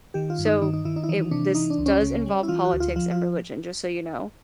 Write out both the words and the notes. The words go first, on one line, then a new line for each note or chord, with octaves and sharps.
so, it this does involve politics and religion, just so you know.
D#3 G4
F4
G2
D#4
D#3 D#4
D#4
D#3 E4
D#4
E4
E3 D#4
C3 D4
E3 D#4
D4
C#2
C#4
C#3
G3
E4
E3 F4
F#4
D2
F4
F3 F4
F4